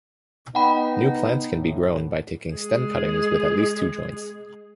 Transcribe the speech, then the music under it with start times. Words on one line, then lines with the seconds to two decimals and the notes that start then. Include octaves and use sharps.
New plants can be grown by taking stem cuttings with at least two joints.
0.55 B3 D#4 F#5 G5 B5
1.54 A2
2.55 G#3 G#4